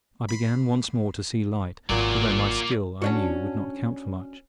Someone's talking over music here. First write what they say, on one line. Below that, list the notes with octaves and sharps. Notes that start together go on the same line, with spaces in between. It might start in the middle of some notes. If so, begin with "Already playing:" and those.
I began once more to see light, although my skill, I knew, would not count for much.
B5 C6
G#1 A#2 F#3 A#3 D5
C#4 D4 F#4